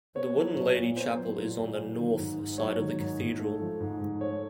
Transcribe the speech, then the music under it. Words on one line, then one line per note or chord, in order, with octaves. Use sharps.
The wooden Lady Chapel is on the "north" side of the cathedral.
B3 C#5
F#3
A#2 C#5
A#2
B3 C5
F#3
A#2
A#2
F#3
D#3
G#2
G#2
F#3 C#5
D#3
G#2
G#2
A3
F3
G#2
G#2
A3 C#5